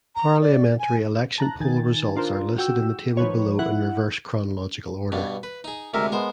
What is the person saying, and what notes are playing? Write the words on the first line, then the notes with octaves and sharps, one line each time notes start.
Parliamentary election poll results are listed in the table below in reverse chronological order.
A#5
D5
G#5
A5 A#5 F#6
D#3 G#5 A6
D4 F4 A#4 C5
F#4 G5 E6
D#3 F3 B4 C#5
E4 F#5 F#6
G2 B2
B4
D#4 G#4
D2 C3 G#3 A#4 E5
G#3 B3 A#4 C5